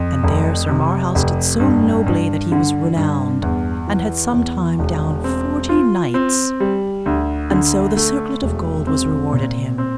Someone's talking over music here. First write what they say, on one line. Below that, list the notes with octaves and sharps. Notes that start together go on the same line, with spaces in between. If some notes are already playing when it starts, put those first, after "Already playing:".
And there Sir Marhaus did so nobly that he was renowned, and had sometime down forty knights, and so the circlet of gold was rewarded him.
Already playing: F2
F1
C3
F1
G2
G2
D3
G2
E2
E3
E2
E1
C4
F4
C4
G3
D2
D3
A3
E1
C4
A#2
C4